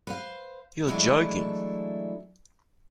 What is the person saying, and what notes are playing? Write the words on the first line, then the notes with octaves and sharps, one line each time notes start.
You're joking!.
B4 C5 F5
E3 F#3 G#3 A3 D4 E4